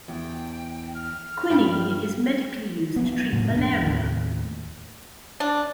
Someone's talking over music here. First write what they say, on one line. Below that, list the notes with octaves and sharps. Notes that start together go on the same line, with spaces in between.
Quinine is medically used to treat malaria.
E2 G5
F6
G2 G5 B5
F#3 A#3 B3
A2 C#3 A#3
F2 A#3 D4
D#2 A2
D4